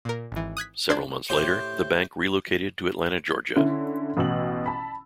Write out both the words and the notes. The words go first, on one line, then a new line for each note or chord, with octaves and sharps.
Several months later, the bank relocated to Atlanta, Georgia.
A#2 A#4
G#1 E3
D#6 F#6 G#6 B6
D4 C5 D5 G#6
A2 G4 C5 G6
D3 C#4 E4
A1 B2 E6 F#7
A5 B5